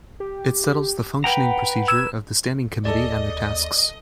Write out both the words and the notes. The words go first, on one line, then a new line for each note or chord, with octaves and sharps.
It settles the functioning procedure of the Standing Committee and their tasks.
G4
B4 F#5 G5 A#5
E6 G#6 E7
D#2 G#4 A4 D5 D#5